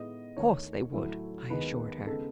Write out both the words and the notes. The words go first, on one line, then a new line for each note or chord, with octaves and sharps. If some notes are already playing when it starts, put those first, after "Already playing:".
"Of course they would," I assured her.
Already playing: A2 G#3 B3 D#4 D#5
D#2 D#3 A3 C#5
A2 F#3 A3 E4
D#2 D#3 G#3 B3 D#4 B4
C#3 G#3 B3 D#4 A4